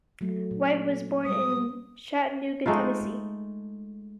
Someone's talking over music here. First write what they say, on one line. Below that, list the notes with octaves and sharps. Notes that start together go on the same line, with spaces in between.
White was born in Chattanooga, Tennessee.
F#3 A3
A#2
G3 G#3 D#6
G#3 A3 D#4 F4